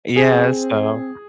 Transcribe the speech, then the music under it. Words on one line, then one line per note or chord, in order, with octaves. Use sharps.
Yeah, so
C4 G#4